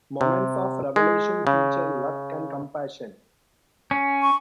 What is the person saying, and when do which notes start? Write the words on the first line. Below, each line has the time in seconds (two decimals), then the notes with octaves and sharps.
Moments of revelation feature luck and compassion.
0.21 C3
0.96 G#3
1.47 C#3
3.91 C#4
4.21 C#6